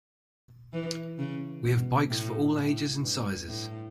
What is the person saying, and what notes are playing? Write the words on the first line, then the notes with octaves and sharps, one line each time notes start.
We have bikes for all ages and sizes.
E3
C#3
B2
A2
A2
G2
A2